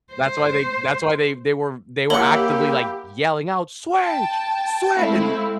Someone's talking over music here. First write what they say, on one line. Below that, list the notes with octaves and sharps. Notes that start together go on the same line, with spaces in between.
That's why they that's why they they were they were actively like yelling out, "Switch, swi" and
C5
A#3 E4 G4 C#5 F#5 F#7 G7
G5 A5
G#3 A3 C4 E4 F5